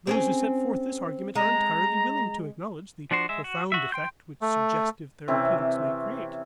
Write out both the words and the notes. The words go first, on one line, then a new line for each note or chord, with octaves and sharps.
Those who set forth this argument are entirely willing to acknowledge the profound effect which suggestive therapeutics may create.
C4 C#4 G#4
G#3 A#5
F3 D4 F#4 C5
G#3 E5
F#4
F#4 E5
G5 C6 G6
A3
C3 E3 C4 C#4